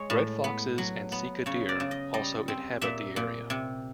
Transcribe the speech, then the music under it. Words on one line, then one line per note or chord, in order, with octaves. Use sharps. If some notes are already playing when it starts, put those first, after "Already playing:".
Red foxes and sika deer also inhabit the area.
Already playing: G#3 C#5
A2
B3
F#3
B3
C#3 C#5
D5
C#3
D#5
G3 D#5
C4
A#2 E5
A#2
C3